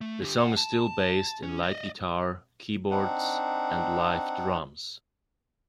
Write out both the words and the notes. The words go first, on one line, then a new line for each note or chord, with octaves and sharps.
The song is still based in light guitar, keyboards and live drums.
A3
D3 G4
E5 F#5
A5
C#4
D5 D#5
C4 D4 D#4 F#5